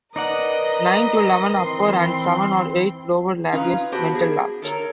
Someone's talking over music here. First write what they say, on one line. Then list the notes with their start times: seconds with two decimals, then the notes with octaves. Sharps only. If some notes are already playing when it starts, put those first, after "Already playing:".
Nine to eleven upper and seven or eight lower labials; mental large.
0.16 D#4 A#4 B4 D5 D#5 F#5
1.59 E3 C4 C6
3.52 C#4 D#4 F4 B4 A#5
3.92 B3 F#4 G4 C5 A5
4.15 G#4
4.62 A4 A#4 C#5 A#5